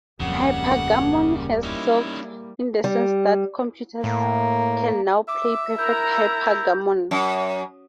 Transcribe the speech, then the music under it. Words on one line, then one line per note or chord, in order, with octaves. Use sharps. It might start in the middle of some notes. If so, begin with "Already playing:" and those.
Hypergammon has been 'solved', in the sense that computers can now play perfect hypergammon.
D1 F2 C#3 G3 A#3 F#5
C#4 D#4 E4
G3
A2 A#3
E5 D6
E4 A#4 A#5 G6
F#2